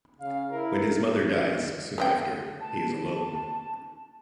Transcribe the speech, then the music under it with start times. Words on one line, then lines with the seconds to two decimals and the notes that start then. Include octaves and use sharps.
When his mother dies soon after, he is alone.
0.21 C#3 F5
0.51 E4 A#4
1.98 B3 D#5 G5
2.60 A5